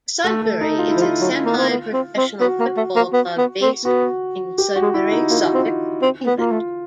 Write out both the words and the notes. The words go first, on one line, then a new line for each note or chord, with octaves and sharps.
Sudbury is a semi-professional football club based in Sudbury, Suffolk, England.
A3
A3
D#4
F4
E4
F3
F4
F#3
A#3
C4
B3
C4
C4
B3 F#4
A#3
A3
A#3
B3
B3
C4
B3 F#4
G4
F#4
G#3
E4
D#4
A#3 F4
F#4
C4
F4
C4
B3
A#3 F4
A3